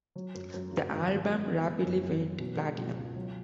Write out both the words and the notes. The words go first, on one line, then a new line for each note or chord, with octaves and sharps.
The album rapidly went platinum.
F#3
F#2
F#2
C#3
G#1
G#1
B3
B3
F#1
F#2
F#2
F#3
B2
G#3
B2
C#2
F#3